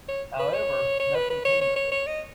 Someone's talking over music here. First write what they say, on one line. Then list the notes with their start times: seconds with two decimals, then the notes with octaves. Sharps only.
However, nothing came of this.
0.08 C#5
0.39 B4
0.54 C#5
0.99 C#5
1.15 B4
1.30 B4
1.45 C#5
1.61 C#5
1.76 C#5
1.92 C#5
2.07 D#5